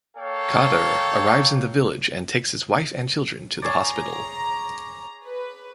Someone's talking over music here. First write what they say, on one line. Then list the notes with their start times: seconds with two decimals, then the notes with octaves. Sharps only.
Qader arrives in the village and takes his wife and children to the hospital.
0.17 A#3 A4 C#5 F5 G5
3.62 G#4 C#5 D5 A#5
5.23 B4